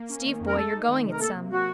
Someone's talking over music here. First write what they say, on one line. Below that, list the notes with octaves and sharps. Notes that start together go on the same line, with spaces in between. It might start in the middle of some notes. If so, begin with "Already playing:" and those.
Steve boy, you're going it some.
Already playing: A#3
C#4
D#3
F2
A#4
A3 A4
D#4
D#3
C3
A#4
A#3 A4
C3
F#3 F#4